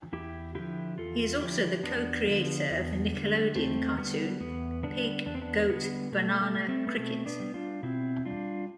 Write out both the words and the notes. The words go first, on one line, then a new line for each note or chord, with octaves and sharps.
He is also the co-creator of the Nickelodeon cartoon "Pig Goat Banana Cricket".
E2 E4 G4
D3 F3 E4 G4
E2 F4 A4
D3 F3 E4 G4
E2 B3 D4
D3 F3
E2
D3 G3
E2 A3 C4
D3 G3 B3
E2 B3
D3 G3 B3 D4
E2 D4
C4
B3 D4
D3 G3 B3
B2 A3
A3
G3
A3 C4
B3
B2 A3 C4
B3 D4
G3
D4 F4
B2 C4 E4
G3 D4 F4